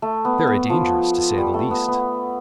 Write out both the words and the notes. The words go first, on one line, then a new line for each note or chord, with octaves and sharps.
"Very dangerous, to say the least."
A3
B3
B3
F3
G3
A3
B3
B3